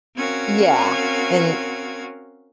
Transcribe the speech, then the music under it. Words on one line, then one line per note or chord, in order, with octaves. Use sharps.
Yeah, and,
C4 C#4 F#4 A#4 F5 G#6